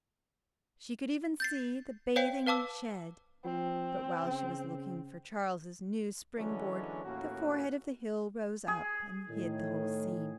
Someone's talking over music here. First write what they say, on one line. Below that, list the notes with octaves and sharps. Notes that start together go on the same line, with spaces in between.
She could even see the bathing-shed, but while she was looking for Charles's new springboard, the forehead of the hill rose up and hid the whole scene.
G6 A6 C7
C5 C#5 F5 G5 C7
B4 F5 A5 D6 E6
F3 C4
C#3
D3 E3 F#3 G#3 C#4 D4
D#2 A2 A#3 C#4 F#4
G#4
A2 D#3